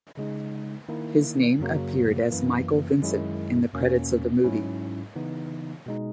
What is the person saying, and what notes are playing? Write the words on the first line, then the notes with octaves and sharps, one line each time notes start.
His name appeared as Michael Vincent in the credits of the movie.
C#3 G#3 D#4
D#3 A#3 E4
F#2 C#3 F#3 A#3
F#2 E3 A#3
F#2 D#3 G#3 C#4 E4
E2 B2 A#3 C#4
G#2 F#3 C#4 E4
C#3 E3 B3 D#4
B2 G#3 D#4